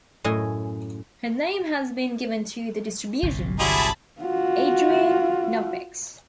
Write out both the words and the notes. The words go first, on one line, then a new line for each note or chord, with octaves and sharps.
Her name has been given to the distribution: Adriane Knoppix.
F#2 A2 D#5 G#5
G1 C2 A#2
D3 F#3 G3 E4 G#4 A5 B5
F4 F#4